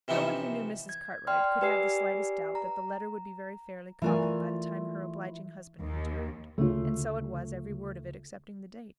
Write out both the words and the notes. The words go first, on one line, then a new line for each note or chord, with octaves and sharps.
No one who knew Mrs. Cartwright could have the slightest doubt that the letter would be very fairly copied by the time her obliging husband returned: and so it was every word of it excepting the date.
C3 E3 F3 B3 D#4
G#6
D5 G5 C6 F6
G4 B4 D5 G#5 E6 C7
A#5
E3 A3 F4 A#4 D5 G#5
D#2
D2 C#3 A3 F4